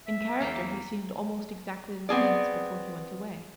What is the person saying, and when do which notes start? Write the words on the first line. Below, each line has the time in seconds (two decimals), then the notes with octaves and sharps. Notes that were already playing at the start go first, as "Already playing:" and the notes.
In character he seemed almost exactly the same as before he went away.
0.07 E5
0.41 E2 A#3 G5
2.09 B3 C4 G#4 D5